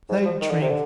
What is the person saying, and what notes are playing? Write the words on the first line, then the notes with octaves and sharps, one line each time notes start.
They drink!
G#2
F3
D#3
D3
C3
D3